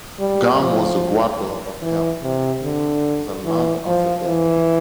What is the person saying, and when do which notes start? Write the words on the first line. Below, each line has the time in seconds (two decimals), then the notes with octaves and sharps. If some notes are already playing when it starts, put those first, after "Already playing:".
Garm was the guard dog of Hel, the land of the dead.
0.20 G3
0.61 F3
1.82 E3
2.23 C3
2.64 D3
3.45 E3
3.87 F3
4.27 E3